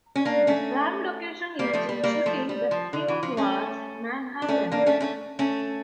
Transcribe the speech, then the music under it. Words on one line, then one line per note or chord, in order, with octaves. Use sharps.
The prime location used in shooting the film was Manhattan.
C#4
A#3 D4
A3 C#4
G3 A#3
F3 A3
G3
G3 A#3
F3 A3
G3
F3
D3
E3
F3
A3 C#4
D4
A3 C#4
A#3 D4
A3 C#4
A3 C#4
A3 C#4